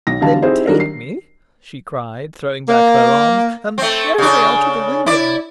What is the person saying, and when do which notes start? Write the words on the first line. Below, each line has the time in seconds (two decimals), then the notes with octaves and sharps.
"Then take me," she cried, throwing back her arms, "and throw me out of the window."
0.07 B1 A#6
0.21 D3 E3 F#3 G3 F5 A5
0.42 C4 D#4 E4 G4 G#4 C5
0.67 D#3 F#3 G3 D4 A#4
0.80 C7
2.69 A#3
3.78 A3 C4
4.18 C#3 D4
5.06 E4 D5